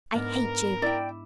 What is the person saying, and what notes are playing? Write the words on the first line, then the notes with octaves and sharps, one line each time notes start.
I hate you.
G#2 B3 D4 A#4
E4 D5 G5 D6 E6